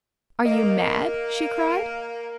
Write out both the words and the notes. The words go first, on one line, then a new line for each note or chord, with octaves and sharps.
"Are you mad?" she cried.
A#3 D#5